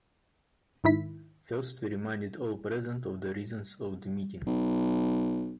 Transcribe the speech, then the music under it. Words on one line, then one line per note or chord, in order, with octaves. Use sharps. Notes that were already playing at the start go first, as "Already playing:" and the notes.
First, he reminded all present of the reasons for the meeting.
G#2 D#3 E4 B6
B1